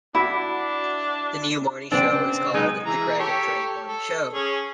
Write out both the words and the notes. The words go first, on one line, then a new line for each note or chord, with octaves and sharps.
The new morning show is called the "Greg and Dre Morning Show".
D4 E4 F#4 F#5 D6
C#3 B3 C4 D4 G5 F#7
F#3 G#3 D#4
E3 G#4 A#5
G4 A4 C#5
A4
C#4 G#4